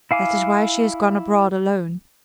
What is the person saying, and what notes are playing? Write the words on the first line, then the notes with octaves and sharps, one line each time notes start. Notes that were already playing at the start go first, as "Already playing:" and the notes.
That is why she has gone abroad alone.
E4 F5 G#5 D6